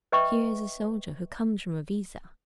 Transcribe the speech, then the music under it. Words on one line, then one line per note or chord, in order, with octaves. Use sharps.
Here is a soldier who comes from Iviza.
B4 D#5 E5 G5 C#6